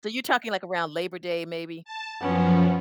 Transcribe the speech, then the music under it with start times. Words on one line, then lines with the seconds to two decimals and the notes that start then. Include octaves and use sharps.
So you're talking. like, around Labor Day maybe?
1.85 A5
2.20 F#2 F3 B3 C#4